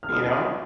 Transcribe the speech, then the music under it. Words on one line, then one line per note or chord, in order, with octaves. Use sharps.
you know?
F6
D#6